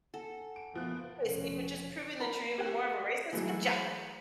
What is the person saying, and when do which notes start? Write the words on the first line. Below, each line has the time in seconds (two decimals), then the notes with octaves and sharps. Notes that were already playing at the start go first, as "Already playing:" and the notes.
okay, so you're just proving that you're even more of a racist, good job.
0.14 A4 F#5 G#5 A5
0.56 D7
0.73 F#1 F3 B3 F#6
1.20 F1 B2 D3 F3 C#4
2.20 A#4 A#5 B5
2.58 G4 F#5
3.33 E3 F#3 G#3 A3